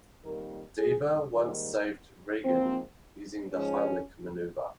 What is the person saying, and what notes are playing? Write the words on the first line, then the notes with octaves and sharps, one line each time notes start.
Deaver once saved Reagan using the Heimlich maneuver.
F2 D#3 G3 A#3 A#4
G#4
G#2 D#3 G3 A#3
G#2 F3 A#3 C4
G#2 F3 G#3 C#4